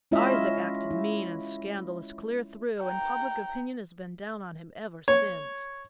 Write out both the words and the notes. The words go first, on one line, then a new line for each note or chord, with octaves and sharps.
Isaac acted mean and scandalous clear through, and public opinion has been down on him ever since.
G#3 C#4 E4 F4 D#5 E5
E4
G5 A#5
C#5